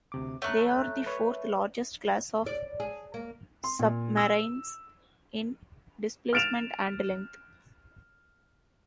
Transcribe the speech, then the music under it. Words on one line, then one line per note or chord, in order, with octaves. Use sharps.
They are the fourth largest class of submarines in displacement and length.
D2 C3 D6
A3 C#5 A#5 F#6
B4 C#5
D5
G#4
A#3
C6
A#2
E6
F6 A6 D7 E7 F7